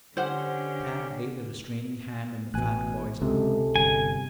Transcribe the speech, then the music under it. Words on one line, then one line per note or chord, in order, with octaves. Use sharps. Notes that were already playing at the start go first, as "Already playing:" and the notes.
Tad laid a restraining hand on the fat boy's arm.
D3 C#4 G4 C5 F#5
A1 B2 G#5 F#6
C#2 C3 G#3 A4
G1 G#5